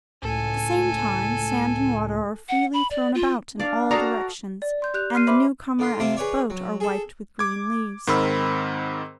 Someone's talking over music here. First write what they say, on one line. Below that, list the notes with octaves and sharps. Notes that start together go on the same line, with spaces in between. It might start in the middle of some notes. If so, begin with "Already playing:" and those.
At the same time sand and water are freely thrown about in all directions, and the newcomer and his boat are wiped with green leaves.
C#2 A2 A4 G#5
F#5
B5
D5
F4
D4 D5 F5
F#4 A4 D5 F5 A#5 D#6
D5
C6 G6
G4 F#6 G6 F7
C6 F6 C7 D#7
C5 E5 B5 C6 D6
D3 F4 C6
C3 C4 E4 F4 C6 D6
G#4 B4 C#5 D5
F#3
G#4 A4
D6 G#6
G#2 D#3 C4 A#4 B5 E6